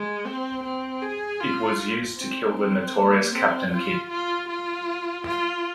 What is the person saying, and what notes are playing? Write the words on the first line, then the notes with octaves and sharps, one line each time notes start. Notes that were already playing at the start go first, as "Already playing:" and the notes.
It was used to kill the notorious Captain Kidd.
Already playing: G#3
C4
C4
G#4
F4
C4
C4
A#3
C4
F4
F4
F4
F4